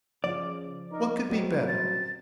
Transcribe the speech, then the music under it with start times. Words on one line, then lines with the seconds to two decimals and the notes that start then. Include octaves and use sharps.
What could be better?
0.24 C#3 F3 D5 F5
0.92 D#4 A#4
1.30 F#2 F#3 G3 C4 D#5
1.68 A6